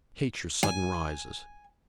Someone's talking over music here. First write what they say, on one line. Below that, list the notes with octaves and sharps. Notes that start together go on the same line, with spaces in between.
I hate your sudden rises.
G#5